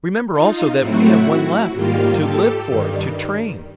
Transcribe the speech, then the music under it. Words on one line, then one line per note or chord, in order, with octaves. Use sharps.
Remember also that we have one left, to live for, to train.
D#4 F4
A2 F#3 A3 C4 E4 F#4
G#2 D#3 G3 A#3 F4 G4
G4 A4
G2 D#3 G3